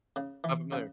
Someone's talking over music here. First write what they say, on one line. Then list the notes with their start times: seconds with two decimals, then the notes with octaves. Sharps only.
Not familiar.
0.16 C#3
0.44 E3
0.72 C#3